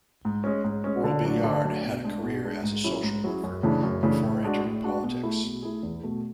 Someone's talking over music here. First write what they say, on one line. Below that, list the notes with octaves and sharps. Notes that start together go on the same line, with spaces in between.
Robillard had a career as a social worker before entering politics.
G#2
G#3 C#4
G#2
G#3 C#4
D3
F#3 A3 D4
D3
F#3 A3 D4
B2
G#3 D4 G#4
B2
G#3 D4 G#4
G#2
F#3 C#4 E4 G#4
G#2
F#3 C#4 E4 G#4
F#2
C#3 E3 A3 D4
F#2
C#3 E3 A3 D4
A2
G#3 D4 F#4
A2
G#3 D4 F#4
B2
A3 E4 G#4
B2
A3 E4 G#4
E2
B2 A3